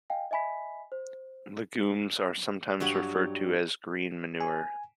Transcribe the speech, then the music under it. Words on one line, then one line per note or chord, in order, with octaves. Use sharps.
Legumes are sometimes referred to as "green manure".
D#5 F5 G5 G#5
D#5 E5 G#5 B5 B6
C5
G2 F#3 F#5 B5
G#5